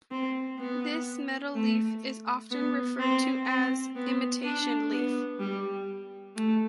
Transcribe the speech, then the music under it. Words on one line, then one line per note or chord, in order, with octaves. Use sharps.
This metal leaf is often referred to as imitation leaf.
C4
B3
A3
B3
C4
C4
B3
D4
B3
G3
A3